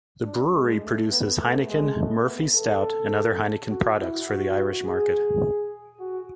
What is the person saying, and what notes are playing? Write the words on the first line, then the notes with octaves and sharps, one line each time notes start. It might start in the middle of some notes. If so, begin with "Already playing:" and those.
The brewery produces Heineken, Murphy's stout and other Heineken products for the Irish market.
D4
G#3
A3
B3
A3
G#3
A3
B3
A4
F#4
E4
F#4
G#4
F#4